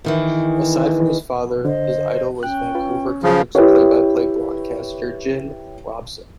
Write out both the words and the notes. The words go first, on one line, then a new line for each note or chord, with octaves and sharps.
Aside from his father, his idol was Vancouver Canucks play-by-play broadcaster Jim Robson.
E2 D#3 E3
D3 C5 D#5
C#4 G5 F#6
F4 B4
C#3 F3 F#3 D#6
E4 G4 B4 C#5